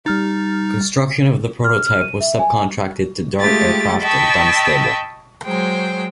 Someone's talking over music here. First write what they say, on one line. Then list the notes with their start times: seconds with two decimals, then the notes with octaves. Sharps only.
Construction of the prototype was subcontracted to Dart Aircraft of Dunstable.
0.06 G3 D#4 F6 A6
1.64 F6
1.87 F6
2.01 D#7
2.21 E5
2.39 G#5
3.38 G#3 A3 F4 G4 A6
4.00 D#5 G5 A5 B5 C#6 E6
5.45 F#3 G#3 C5 G5